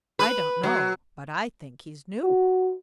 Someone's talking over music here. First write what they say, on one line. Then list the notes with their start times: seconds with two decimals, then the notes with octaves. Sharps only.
"I don't know, but I think he's new."
0.19 B4
0.63 F#3
2.24 F#4